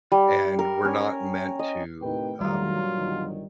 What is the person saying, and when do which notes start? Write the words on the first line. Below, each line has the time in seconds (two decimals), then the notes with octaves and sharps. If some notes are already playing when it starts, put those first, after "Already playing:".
and we're not meant to, um,
0.12 G3
0.59 A#4
0.85 C#4
1.59 D#5
2.02 A2 C3 D#3 B4 G5
2.41 G2 A#2 D#3 F#3 G3 A3 F4 A#5
2.97 G1 D#3